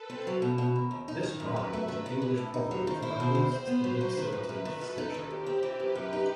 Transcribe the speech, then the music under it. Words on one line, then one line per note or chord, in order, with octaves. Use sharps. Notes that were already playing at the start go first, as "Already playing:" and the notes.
This rhyme was an English proverb from at least the mid-seventeenth century.
Already playing: A4 B4
C4
F#3
B2
B2
D#3
D#2
D#4
D#3 B4
F#2
F#2
A3
D#3
D#3
E3
A2
D#4
F#3 C5
D#3
E4
B2 C5
E2
C4
B3 B4
F#3
F#3
D#3 B4
F#2
F#2
D#3 A4
F#2
D#4
D#3 G4
D#2
C4
E3 B4
F#2
F#2
D#4